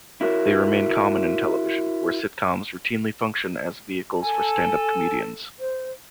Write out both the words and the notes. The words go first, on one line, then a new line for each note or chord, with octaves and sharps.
They remain common in television, where sitcoms routinely function as vehicles for stand-up comedians.
E4 F#4 A#4
A4 G#5
C5